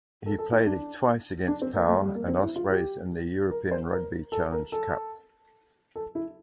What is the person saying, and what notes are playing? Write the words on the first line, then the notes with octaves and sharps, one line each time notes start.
He played twice against Pau and Ospreys in the European Rugby Challenge Cup.
A4
A4
E4
D4
D4
C4
A#3
A3
G3
A#3
C4
E4
F4
G4
A#4
C5
A#4
A4
A#4
A4
A4
E4